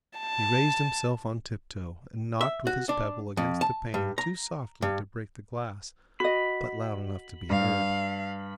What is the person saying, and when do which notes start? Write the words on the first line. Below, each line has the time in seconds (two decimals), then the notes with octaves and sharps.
He raised himself on tiptoe, and knocked with his pebble against the pane too softly to break the glass, but loud enough to be heard.
0.18 A5
2.41 E5
2.67 F#4
2.89 D4
3.37 F2
3.61 A5
3.94 G2
4.18 A#5
4.82 G2
6.20 F#4 D#5 B5
7.50 G2 F5